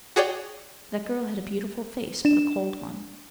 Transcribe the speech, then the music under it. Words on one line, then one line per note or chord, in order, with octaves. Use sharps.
That girl had a beautiful face but a cold one.
F#4 G#4 C#5 D5 G5
D4 E7